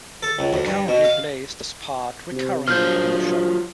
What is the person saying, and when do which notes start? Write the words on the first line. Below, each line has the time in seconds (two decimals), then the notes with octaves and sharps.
She currently plays this part recurringly on the show.
0.23 A4
0.39 C#2
0.53 D2
0.67 G2
0.88 B2
1.04 F5
2.31 C3
2.68 A#1 F#3 F4 C5 F6 G6